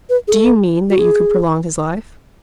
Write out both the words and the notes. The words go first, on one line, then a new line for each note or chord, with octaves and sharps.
"Do you mean that you could prolong his life?"
B4
G#4
A4
F#4
G#4